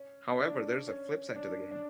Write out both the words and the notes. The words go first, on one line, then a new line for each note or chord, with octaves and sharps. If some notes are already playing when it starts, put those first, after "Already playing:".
However, there is a flip side to the game.
Already playing: C#4
D4
C#4
D4
D4